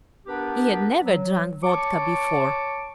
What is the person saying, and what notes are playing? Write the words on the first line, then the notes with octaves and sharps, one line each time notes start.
He had never drunk vodka before.
B3 D4 G4 A#4 B4
F#3
C#5 A5 C#6 D6